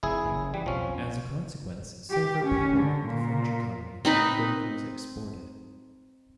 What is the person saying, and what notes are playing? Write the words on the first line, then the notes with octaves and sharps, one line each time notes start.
As a consequence, silver powered the French economy and gold was exported.
F1 E4 G#4
F#1
E3 G3
B1 F2 F3 C#4
G4
C#4
D3
A#2
C4 D#4 B4